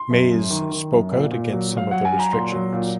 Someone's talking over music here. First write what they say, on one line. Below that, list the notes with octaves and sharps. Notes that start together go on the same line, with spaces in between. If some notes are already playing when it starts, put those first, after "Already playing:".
Maes spoke out against some of the restrictions.
Already playing: C6
F#2
F#2
D#3
D#3
F#2
A#2
A#2
F#3
F#3 F5
F#3 F#5
G#5
F#3
A#5
A#2 C6
F#3
A#2